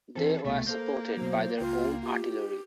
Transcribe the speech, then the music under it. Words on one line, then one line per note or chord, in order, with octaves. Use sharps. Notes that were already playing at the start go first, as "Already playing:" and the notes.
They were supported by their own artillery.
E3 C4 G#4 A4
C2 B2 A3
A#3 A4 C5 G6
B2 F#3 C5
C#2 F4 G5
F4 G4